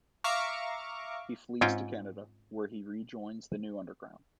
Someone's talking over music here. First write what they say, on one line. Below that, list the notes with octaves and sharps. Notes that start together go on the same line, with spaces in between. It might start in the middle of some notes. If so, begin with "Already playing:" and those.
He flees to Canada, where he rejoins the New Underground.
E5 F5 A#5 C#6 D6 F6
G#2 C4 C#4 F4 G5 G#5